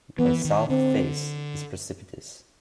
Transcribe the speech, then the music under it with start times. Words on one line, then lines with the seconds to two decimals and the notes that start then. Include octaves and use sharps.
The South Face is precipitous.
0.19 E3 B3
0.45 D#3
0.70 D3 C4